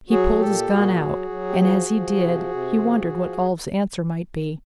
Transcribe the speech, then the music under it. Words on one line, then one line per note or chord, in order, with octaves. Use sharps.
He pulled his gun out, and as he did he wondered what Ulv's answer might be.
F#3 F#4 G#4
A#2 G4 A4
A#2 F#4 G#4
F#3
F#3
G4
F3 F#4 G#4
F3
C3
C3
F3
F3